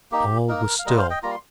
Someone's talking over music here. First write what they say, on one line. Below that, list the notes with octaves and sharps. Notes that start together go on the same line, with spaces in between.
All was still.
A#3 D#4 G4
A#3 D#4 A#4
F5
G3 A#3 F4 A#4 D#5
C5 F5
D#5 G5
G3 A#3 F4 A#5
C6